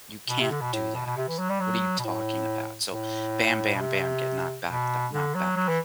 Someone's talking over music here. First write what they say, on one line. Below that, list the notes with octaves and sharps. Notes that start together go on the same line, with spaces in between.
you can't do that. What are you talking about? So bam, bam, bam, get knocked back, d knocked back,
B2
C3
D3
B2
A2
B2
B2
C3
E3
F#3
G3
F#3
B2
A2
A2
B2
C3
B2
D3
F#3
F#3
E3